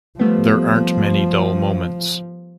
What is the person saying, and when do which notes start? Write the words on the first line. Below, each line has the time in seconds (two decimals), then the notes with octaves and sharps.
There aren't many dull moments.
0.19 F3 G3 A3 B3